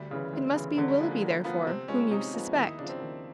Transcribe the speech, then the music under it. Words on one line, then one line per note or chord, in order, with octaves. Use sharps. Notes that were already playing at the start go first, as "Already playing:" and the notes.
It must be Willoughby therefore whom you suspect.
Already playing: D2 G3
C#3 E3
D2
C#3 E3
D3 F#3
G3
F3 G#3 A#3
G#3
D3 A#3
F3 A#3 B3
C3 C4
F3 G#3 B3 C#4
C3 D#4
F3 G#3 B3
D#2 E4
D#4
C#3 F3 D4
C4
D#2